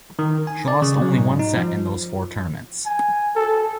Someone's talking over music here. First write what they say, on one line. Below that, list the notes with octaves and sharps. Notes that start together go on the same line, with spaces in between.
She lost only one set in those four tournaments.
D#3
G#5
D5
C#3
F#3
G#2
D#4
F3
G#5
A4